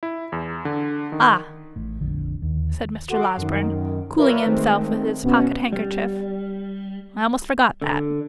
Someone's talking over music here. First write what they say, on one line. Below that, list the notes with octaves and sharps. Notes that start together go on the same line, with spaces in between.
'Ah!' said Mr. Losberne, cooling himself with his pocket-handkerchief; 'I almost forgot that.'
E4
E2
D3
D#3
A1 A2
F1 A#1 D3
D#2
F#4 A4 F#5 C6 D6
F#2 D#3
F4 A#4 B4 C#5 D5 E5
D#3 G#3 A3 C4
B2 B3 C#4 F#4
G3
D3